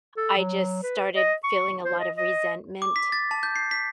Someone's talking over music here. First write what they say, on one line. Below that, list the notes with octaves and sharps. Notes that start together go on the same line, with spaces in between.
I just started feeling a lot of resentment
A4
F#3
B4
D#5
C#6
C5
D#5
D#5
D6
B6
A6
A5
G6
C7
B6